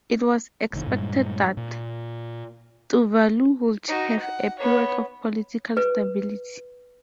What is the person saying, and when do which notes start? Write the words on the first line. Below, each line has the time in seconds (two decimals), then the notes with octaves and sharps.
It was expected that Tuvalu would have a period of political stability.
0.73 F1 C3 D#3
0.87 G2 A#2 G3 G#3
1.57 A#2
3.88 D#4 F#4
4.19 F#5
4.59 B3 C#5
5.77 B4